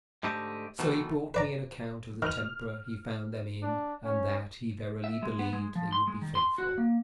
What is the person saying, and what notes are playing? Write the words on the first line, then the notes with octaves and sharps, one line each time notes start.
So he brought me an account of the temper he found them in and that he verily believed they would be faithful.
G#2 D3 A3 G4 D#5
B2 D#3 E3 A3
B4 D5 A#5
D#3 F6 F7
D4
C#4
E5
G#3
B3
G#3
F3
C6
G#3
D#3
C6
F#4
A#3